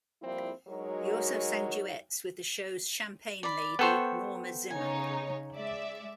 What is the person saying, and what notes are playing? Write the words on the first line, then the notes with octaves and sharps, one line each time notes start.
He also sang duets with the show's Champagne Lady Norma Zimmer.
F3 G3 A#3 C4 E4
F#3 G#3 D#4 F#4 A#4 C#5
D5 B5
B3 A4 C5 G5 C#6
C#3 D#4 C#5 G#5
G#3 D5 E5